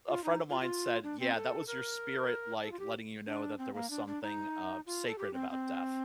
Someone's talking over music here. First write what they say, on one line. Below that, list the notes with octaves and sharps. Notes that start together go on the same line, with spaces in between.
a friend of mine said, "Yeah, that was your spirit, like, letting you know that there was something, uh, sacred about death,
F4
D#4
F4
F4
D4
C4
A4
A#4
A4
F4
G4
D4
C4
A#3
D4
D4
D#4
F4
A4
G4
C4
C4